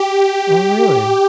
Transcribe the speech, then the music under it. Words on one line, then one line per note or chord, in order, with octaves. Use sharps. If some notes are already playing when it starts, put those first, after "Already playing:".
Oh, really?
Already playing: G4